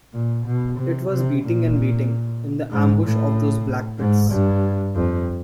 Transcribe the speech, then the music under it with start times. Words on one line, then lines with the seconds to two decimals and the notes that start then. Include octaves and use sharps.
It was beating and waiting in the ambush of those black pits.
0.13 A#2
0.46 B2
0.79 C3
1.10 C3
1.43 A#2
2.71 G#2
3.03 A2
3.98 G#2
4.31 G2
4.95 F2